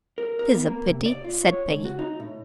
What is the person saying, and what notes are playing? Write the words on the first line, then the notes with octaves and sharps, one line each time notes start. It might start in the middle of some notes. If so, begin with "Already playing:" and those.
"It is a pity," said Peggy.
A#4
A#4
B3
A#3
C3
D5
F4
C#5
C#2
F#4
D#4
A2